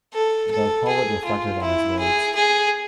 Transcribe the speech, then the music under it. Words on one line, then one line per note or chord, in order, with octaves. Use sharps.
The poet reflected on his words.
A4
A4
G#4
F4
E4
G#4
G#4